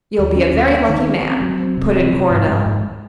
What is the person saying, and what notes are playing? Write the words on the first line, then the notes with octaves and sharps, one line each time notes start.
"You'll be a very lucky man," put in Coronel.
D#2
C#4
D#2
A#3
D#3
C#4
C4
F#3
C4
C3
C4
C3
G#2
G#2
G#2